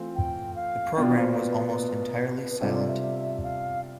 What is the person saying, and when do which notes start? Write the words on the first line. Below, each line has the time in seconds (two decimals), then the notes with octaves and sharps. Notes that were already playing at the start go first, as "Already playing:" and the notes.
The programme was almost entirely silent.
Already playing: E3 A3 C4 F4
0.15 G5
0.56 F5
0.96 B2 B3 D4 F4 G5
1.18 C5
1.37 B4
2.20 B4
2.61 C3 G3 D4 F4 A4 C5
2.74 D5
2.89 E5
3.43 F5